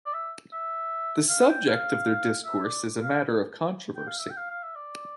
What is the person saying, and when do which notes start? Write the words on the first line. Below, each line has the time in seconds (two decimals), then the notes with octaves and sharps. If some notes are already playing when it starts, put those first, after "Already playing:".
The subject of their discourse is a matter of controversy.
0.06 D5
0.14 E5
0.53 E5
1.29 F5
1.48 G5
1.68 F5
2.45 E5
2.64 D5
3.02 F5
3.96 G5
4.07 F5
4.18 E5
4.30 G5
4.37 F5
4.51 F5
4.63 E5
4.75 D5